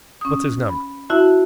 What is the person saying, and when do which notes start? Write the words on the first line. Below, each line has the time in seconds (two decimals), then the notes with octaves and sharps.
What's his number?
0.21 C#4 D#6
0.69 B5
1.10 E4 F#4 E5 A5